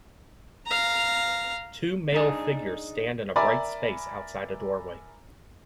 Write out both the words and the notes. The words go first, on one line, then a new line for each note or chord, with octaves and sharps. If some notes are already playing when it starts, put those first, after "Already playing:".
Two male figures stand in a bright space outside a doorway.
F5 A#5
D4 D#4 G#4
A#4 D5 E5 G#5 A#5 B5